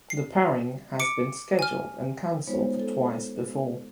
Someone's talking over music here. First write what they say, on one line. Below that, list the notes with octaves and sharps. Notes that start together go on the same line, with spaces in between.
The pairing has been scheduled and cancelled twice before.
C7
D6 C#7 D7
G#5 F6
G#3 B3 D#4 F4 C5 C#5
A4